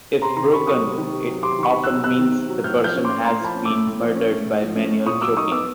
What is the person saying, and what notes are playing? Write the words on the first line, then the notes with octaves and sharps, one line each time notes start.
If broken, it often means the person has been murdered by manual choking.
C3 A#5 C6
D#3 A#5 C6
C3 B5 C#6
F#3 C#6 D#6
C3
D#3
C3
F#3
C3 C6 D6
D#3 B5 C#6
C3
E6 F#6
F#3
C3 E6 F#6
D#3
C3
F#3
A2 F6 G6
F3 F6 G6
C#4
A3 C6 D6
A2 A#5 C6
F3 A5 B5
C#4
A3 D6 E6
A2
F3
C#4
A3
A2
F3
C#4
A3
A#2 C#6 D#6
F#3 D6 E6
D#4 C#6 D#6
B3 D6 E6